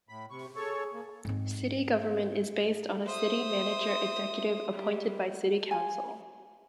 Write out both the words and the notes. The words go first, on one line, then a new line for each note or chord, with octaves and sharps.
City government is based on a city manager executive appointed by city council.
A2 B5
C3 B5 C#6
G4
G#4 A4 C#5 C#6
A#3
G#2 C4
C5 E5 D#6
G3
G#5